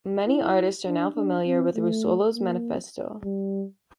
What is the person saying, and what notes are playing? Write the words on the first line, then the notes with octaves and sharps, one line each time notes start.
Many artists are now familiar with Russolo's manifesto.
E4
D4
D4
C4
A3
A#3
G3